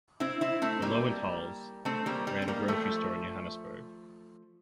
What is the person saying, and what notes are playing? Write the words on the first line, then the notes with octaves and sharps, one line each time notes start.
The Loewenthals ran a grocery store in Johannesburg.
C4 E4
C4 E4
A3 C4
G3 A#3
A3 C4
G3 A#3
G3
C4
G3 A#3
F3 A3